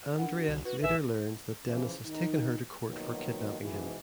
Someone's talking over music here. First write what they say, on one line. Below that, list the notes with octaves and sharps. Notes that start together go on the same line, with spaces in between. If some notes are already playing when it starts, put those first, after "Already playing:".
Andrea later learns that Dennis has taken her to court for kidnapping him.
D4 A#4 F#5
F#4
C2
F#4 B4
A1 B4 E5 G#5
C#3 E3 F3
D#3 D#4
B2 D#3 F3 F#3 A#3 D#4
G#2 B2 E3